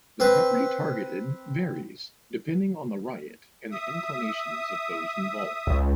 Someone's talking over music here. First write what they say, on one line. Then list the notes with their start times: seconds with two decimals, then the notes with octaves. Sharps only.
The property targeted varies depending on the riot and the inclinations of those involved.
0.20 C4 B4
3.71 E5 D#6
5.67 C#2